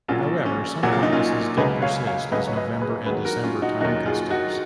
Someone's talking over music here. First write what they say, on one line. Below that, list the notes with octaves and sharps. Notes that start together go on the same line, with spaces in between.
However, some practices did persist as November and December time customs.
A#1 A#2 F#3 C#4 F4
C#4
A#1 A#2 F#3 F#4
F4
D#4
C#4 F4
C#2 C#3 F#3 B4 D#5
C#5 F5
C#5 F5
C#2 C#3 F#3 B4 D#5
C#5
B4 D#5
G#4 B4
D#2 D#3 F#3 G#4 B4
F#4 A#4
C#4 F4
D#4 F#4
D#2 D#3 F#3 D#4 F#4
F4 G#4
D#4 F#4